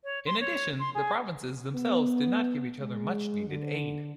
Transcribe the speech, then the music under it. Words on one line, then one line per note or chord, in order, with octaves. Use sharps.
In addition, the provinces themselves did not give each other much-needed aid.
C#5
C6
C#5
C6
G#4
B3
G#3
D3